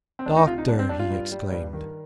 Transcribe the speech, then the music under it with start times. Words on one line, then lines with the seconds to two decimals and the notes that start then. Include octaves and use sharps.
"Doctor!" he exclaimed.
0.19 C4
0.26 D2 D4
0.36 D#4
0.47 C3 F4
0.58 D#4
0.68 G3 D4
0.79 C4
0.89 G3 D4
0.99 F4
1.10 G2
1.32 G3
1.52 G2
1.73 D#3